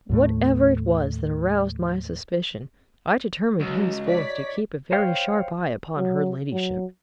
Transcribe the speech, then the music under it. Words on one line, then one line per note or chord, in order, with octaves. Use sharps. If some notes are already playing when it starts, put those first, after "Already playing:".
Whatever it was that aroused my suspicion, I determined henceforth to keep a very sharp eye upon her ladyship.
D#2 A2 A3
C#2 F#3 D#4 F#4
C#5 D5 B6
C5 C#5 F5 G5
F#3
F#3